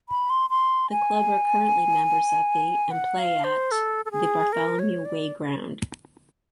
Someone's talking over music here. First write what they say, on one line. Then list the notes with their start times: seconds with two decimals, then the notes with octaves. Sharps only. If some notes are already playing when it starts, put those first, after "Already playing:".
The club are currently members of the and play at the Bartholomew Way Ground.
0.09 B5
0.30 C6
0.50 C6
0.90 G#5
2.91 F#5
3.18 F5
3.44 C5
3.71 A4
4.05 A4
4.11 G#4
4.52 A#4
4.79 C#5
5.05 D5